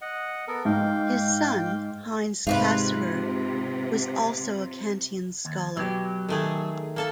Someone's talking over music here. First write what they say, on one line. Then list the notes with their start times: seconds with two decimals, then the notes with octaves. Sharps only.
His son, Heinz Cassirer, was also a Kantian scholar.
0.01 D#5 F#5
0.48 B3 A4 A#4
0.65 G#2 F5 G5
2.47 G#2 C3 F4 F#4 B4
5.45 D#2
5.77 B2 F#3 G4
6.29 D#3 A3 G#4
6.96 A#3 A4 A5